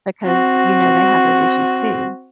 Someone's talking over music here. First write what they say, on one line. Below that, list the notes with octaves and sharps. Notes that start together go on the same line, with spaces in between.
because you know they have those issues too.
C4 F#4